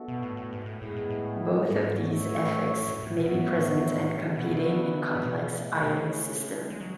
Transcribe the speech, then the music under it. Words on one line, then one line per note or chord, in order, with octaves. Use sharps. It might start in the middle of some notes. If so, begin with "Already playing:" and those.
Both of these effects may be present and competing in complex ionic systems.
Already playing: B3 D4 F#4 A4 E5
B2
A2
A2
G#2
A2
A2 G#3 B3 E4 G#4
A2
A2
G#2
A3 C#4 F#4 C#5 E5
A2
A2
A2
B2 B3 F#4 C#5 E5
A2
G#2
A2
A2
B2 B3 D4 F#4 B4 E5
B2
C#3
A2
B2
A2 G#3 C#4 E4
B2
C#3
G#3
F#3